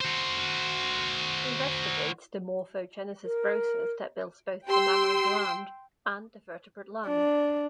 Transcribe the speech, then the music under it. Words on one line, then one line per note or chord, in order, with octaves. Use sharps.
She investigates the morphogenesis process that builds both the mammary gland and vertebrate lung.
F#4 C5
A#4
G4 G5 C6 E6
D4